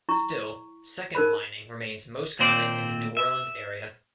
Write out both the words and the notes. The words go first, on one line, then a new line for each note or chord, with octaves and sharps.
Still, second lining remains most common in the New Orleans area.
E4 A#5 C#6
D#4 A#4 C5 B5
D#2 A#2 C4 C5 D5
E5